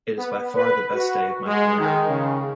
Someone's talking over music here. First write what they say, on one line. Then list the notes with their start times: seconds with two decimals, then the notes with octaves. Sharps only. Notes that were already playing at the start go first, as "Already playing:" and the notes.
It's by far the best day of my career.
0.18 B3
0.55 B4
0.94 F#4
1.46 G#3
1.78 D#3
2.08 C#3